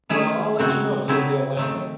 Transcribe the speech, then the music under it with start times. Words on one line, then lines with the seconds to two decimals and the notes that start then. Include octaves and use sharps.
"Well, I'll let you know," said Hale laughing.
0.09 D#3 A3 C#4 E4 G#4
0.59 C#3 F#3 C4 F#4
1.08 C#3 F#3 C4 E4 G#4
1.57 D#3 A3 C4